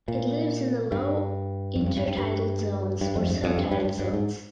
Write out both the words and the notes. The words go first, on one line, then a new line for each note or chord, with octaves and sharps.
It lives in the low intertidal zones or subtidal zones.
A#2
G2
F2
G2
G2
G2
G2
G2
F2
G2
F2
G2
G2
G2
G2
G#2